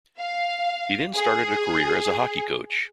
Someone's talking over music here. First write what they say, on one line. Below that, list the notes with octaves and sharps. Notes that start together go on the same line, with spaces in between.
He then started a career as a hockey coach.
F5
G#4